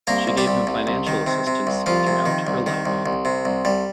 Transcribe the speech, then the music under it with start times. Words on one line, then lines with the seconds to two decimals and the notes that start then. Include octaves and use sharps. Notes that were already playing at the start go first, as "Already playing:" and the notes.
She gave him financial assistance throughout her life.
0.07 C2 A#3 A#4
0.28 C2
0.37 G3 G4
0.48 C2
0.67 C2
0.87 C2
1.07 D#3
1.27 C3
1.47 C3
1.67 C2
1.86 C2 F3 F4
2.07 C3
2.26 D#3
2.47 C2
2.66 D#3
2.86 C2
3.06 C2
3.25 C3
3.45 C2
3.65 C2 G3